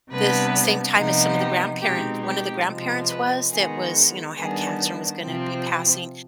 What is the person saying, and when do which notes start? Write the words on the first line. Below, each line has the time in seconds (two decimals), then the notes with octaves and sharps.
the same time as some of the grandparent one of the grandparents was that was, you know, had cancer and was gonna be passing,
0.11 C3 G3 B3 D4 B4
0.96 C3 F3 B3 D#4
1.38 G4
1.82 B2 G#3 C4 D#4 G4
2.24 G4
2.66 C3 F3 G#3
3.09 B4
3.51 D#3 G#3 B3 G#4
4.37 D#3 G3 B3 D4 G#4
5.22 C3 F3 C4